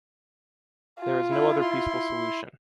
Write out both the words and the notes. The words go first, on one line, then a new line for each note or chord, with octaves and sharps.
There is no other peaceful solution.
F4
E4
E4 C6